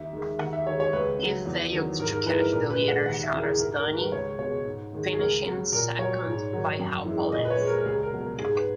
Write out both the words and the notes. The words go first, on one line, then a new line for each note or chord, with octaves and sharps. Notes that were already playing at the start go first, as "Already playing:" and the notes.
He failed to catch the leader Shahrastani finishing second by half a length.
Already playing: D#2 E5
D#3 G#3
D#2 F#5
E5
D#3 G#3 C#5
C#5
C#2 B4
C#3 F#3
E2
D#3 F#3
G#2 A#4
A#4
E3 G#3 B4
A#4
A#2 A#4
B4
G#3
F#5
D#2 F#5
E5
C#3 E3 G#3 A#4
G#4
G#2 A#4
A#4
D#3 G#3
B4
C#2 C#5
B2 G#3 C#5
G#2
D#3 G#3
G#4
C#2 A#4
C#3 F#3
A#2 A#4
F#3 C#5
G#2
D#3 F#3
F#2
E3 G#3
A#2 D#5
B4
C#5
G#3
A#4
A#4
C#2 G#4
A#4
B2 F#3
A#4
G#2 G#4
B4